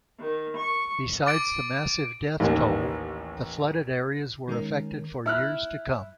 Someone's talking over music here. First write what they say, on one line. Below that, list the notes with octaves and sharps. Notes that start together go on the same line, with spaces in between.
Besides the massive death toll, the flooded areas were affected for years to come.
D#3
C#6
D6 A6 D7
A1 D#2
D#3 G#3 C#4 A#4
E4 F6 F#6